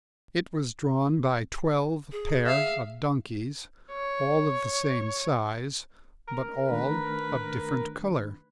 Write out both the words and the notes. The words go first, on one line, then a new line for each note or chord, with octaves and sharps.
It was drawn by twelve pair of donkeys, all of the same size, but all of different color.
G#4
E5 F5
C#5
A#4
D#3 A3 D4 B4